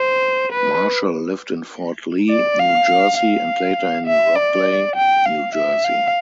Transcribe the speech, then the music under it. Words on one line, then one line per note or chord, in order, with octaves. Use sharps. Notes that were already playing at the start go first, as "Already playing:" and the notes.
Marshall lived in Fort Lee, New Jersey and later in Rockleigh, New Jersey.
Already playing: C5
B4
D5
F5
F5
E5
D5
G5
F5
E5
F5